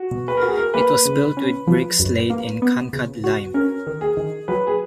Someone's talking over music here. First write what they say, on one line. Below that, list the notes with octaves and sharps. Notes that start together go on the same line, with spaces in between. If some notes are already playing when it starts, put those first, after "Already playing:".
It was built with bricks laid in kankad lime.
Already playing: F#4
B2
B4
A#4
F#4
G#4
A#4
A#3 B4
C#3
C#4
F3
F#2
A#3
B3
C#3
F#4
C#4 A#4
D#3
G#4
D#3
F#3 B4
G#4